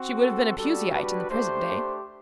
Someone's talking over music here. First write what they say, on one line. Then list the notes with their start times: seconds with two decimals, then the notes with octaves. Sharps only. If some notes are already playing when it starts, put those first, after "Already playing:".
She would have been a Puseyite in the present day.
Already playing: C4 F#4
0.20 A4
0.57 G3 D4 F#4 A4
0.93 B4
1.29 A3 D4 G4 C5